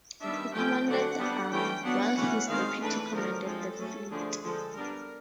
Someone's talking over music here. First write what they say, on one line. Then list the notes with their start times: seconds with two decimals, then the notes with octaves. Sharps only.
He commanded the army, while his deputy commanded the fleet.
0.22 D#3 G3 B3 D4 E5
0.55 F3 A3 C#4 G5
0.87 D3 F#3 A3 D4 F#5
1.20 G3 B3 D4
1.51 E3 A3 C#4 G5
1.84 F#3 B3 D4 F#5
2.17 E3 A3 C#4
2.48 D#3 G#3 C4 F5
2.81 E3 A3 D4 B4
3.13 D3 F3 A3 A#4
3.45 F3 G#3 C4 A4
3.78 F#3 A3 C#4
4.10 D3 F3 A3 D4 G#4
4.43 D3 F3 G#3 A4
4.74 G3 B3 D4 A#4